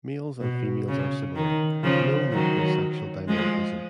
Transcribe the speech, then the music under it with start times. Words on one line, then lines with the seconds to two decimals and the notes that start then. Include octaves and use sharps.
Males and females are similar, with no notable sexual dimorphism.
0.40 B2
0.88 C#3
1.36 D#3
1.83 C#3 F3
2.33 D#3 F#3
3.28 F3 G#3